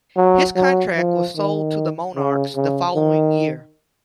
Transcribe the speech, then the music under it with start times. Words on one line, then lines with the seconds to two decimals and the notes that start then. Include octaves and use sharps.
His contract was sold to the Monarchs the following year.
0.16 F#3
0.56 F#3
0.96 F3
1.36 D#3
2.16 C#3
2.56 C#3
2.96 D#3